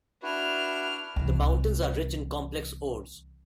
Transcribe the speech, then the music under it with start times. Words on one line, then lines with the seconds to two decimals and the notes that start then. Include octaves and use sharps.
The mountains are rich in complex ores.
0.23 D4 E4 F#4 B4 F6
1.16 C2 E3